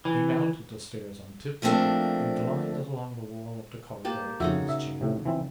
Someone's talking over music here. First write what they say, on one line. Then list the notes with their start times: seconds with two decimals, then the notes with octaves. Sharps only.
He mounted the stairs on tip-toe and glided along the wall of the corridor to his chamber.
0.05 E3
1.62 F3 A3 A#3 C4 D4
4.05 A#3 G4 A5
4.40 F2 C#3 D#4 F#4 E5
4.69 E5
5.01 A2 C3
5.26 E3 C4 E4